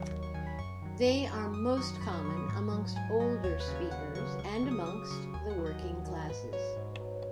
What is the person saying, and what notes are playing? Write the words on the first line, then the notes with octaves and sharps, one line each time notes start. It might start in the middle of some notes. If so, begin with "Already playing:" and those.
They are most common amongst older speakers and amongst the working classes.
Already playing: D#2 D#3 F#3 C#5 C#6
D#2
C#6
D#3 F#3 G#5
B5
F#2 C#6
D#3 F#3
F#2
D#3 F#3
F#2 D#6
D#3 F#3 C#6
F#2 B5
C#5
D#3 F#3 C#6
D#6
G#2 C#6
F#3
G#2 G#5
F#3 D#5
D#2 C#5
B4
C#3 F#3
C#5
D#2 F#5
C#3 F#3 C#6
C#2 C#6
C#6
C#3 F#3
D#6
C#2 D#6
C#3 F#3 C#6
D#2 G#5
F#5
D#3 F#3
D#5
D#2
D#3 F#3
G#2 B4
F#3 C#5
G#2
F#3